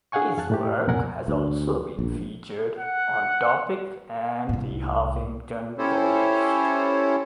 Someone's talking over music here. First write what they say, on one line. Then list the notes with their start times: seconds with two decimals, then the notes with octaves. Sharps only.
His work has also been featured on Topic and The Huffington Post.
0.12 D4 G#4 F5 F#5 G#5 C#6
0.37 F2 F5 G#5 A5 F#6
0.50 A2 A3 G4
0.88 C2 F2 A#2 A#4 F#5 G#5
1.28 D2
1.99 A#1
2.78 F#5
4.49 C2 A2
5.78 C#4 E4 G4 A4 C5 C#5